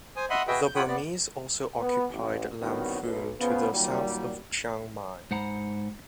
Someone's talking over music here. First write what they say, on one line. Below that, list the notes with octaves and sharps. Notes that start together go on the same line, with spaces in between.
The Burmese also occupied Lamphun to the south of Chiang Mai.
C5 G#5 D#6
D#5 E5 F#5 B5 C6 D#6
F#4 G#4 B4 D#5 E5 G5
G6
F4 C#5 F#5 G5 B5 D#6
B3 D5
B3
A1
C2 D#3 B3 C#4 F#4
B1
C#3 F3 B3
A#2 D#3 F#3 G3
G#2 C5 F#5 A#5 B5